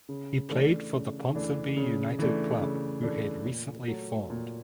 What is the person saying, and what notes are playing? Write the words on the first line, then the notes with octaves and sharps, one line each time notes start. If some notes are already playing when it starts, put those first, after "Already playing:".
He played for the Ponsonby United club who had recently formed.
C#3
E3 A3 D4
C#3
E3 A3 D4
C#3
E3 A3 D4
C#3
E3 A3 D4
A#2
F#3 A3
A#2